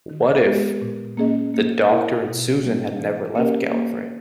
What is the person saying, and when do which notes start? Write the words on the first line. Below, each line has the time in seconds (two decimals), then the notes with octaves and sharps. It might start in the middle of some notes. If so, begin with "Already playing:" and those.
What if... the Doctor and Susan had never left Gallifrey?
0.10 D#3
0.45 G#3 B3 G4 B4
0.82 A#2
1.17 A#3 C#4 G#4 D#5
1.54 A#3
1.90 E4 A#4 E5
2.27 B2
2.63 G3 A#3 C#4
2.99 E3
3.35 A#3 C#4 G4 A#4
3.71 A#3